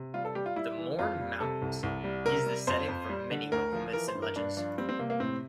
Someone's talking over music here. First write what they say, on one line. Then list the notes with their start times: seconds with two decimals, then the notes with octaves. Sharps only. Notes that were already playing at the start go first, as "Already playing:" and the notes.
The Mourne Mountains is the setting for many local myths and legends.
Already playing: C3
0.14 G3 F4
0.25 A4
0.35 G3 G4
0.46 F4
0.56 G3 E4
0.78 E3
0.99 F2 F4
1.19 G3
1.40 C3 A4
1.62 C2
1.83 C2
2.04 G3
2.25 C3 A#4
2.46 G3
2.67 F2 C5
2.88 F2
3.09 G3
3.31 D3
3.52 D2 A#4
3.73 F3
3.93 E3 A#4
4.08 C5
4.15 G2
4.22 A#4
4.36 G2 D4
4.57 F3 D4
4.78 G3 C4
4.89 C4
4.99 C3 A#3
5.10 A#3
5.20 A2 C4